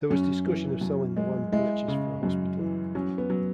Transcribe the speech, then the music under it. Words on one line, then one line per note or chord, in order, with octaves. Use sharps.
There was discussion of selling the land purchased for a hospital.
F#2 C#4
E3
F#2
G#3
G#3 E4
C#3
F#2
E3
F#3 C#4
B3
F#3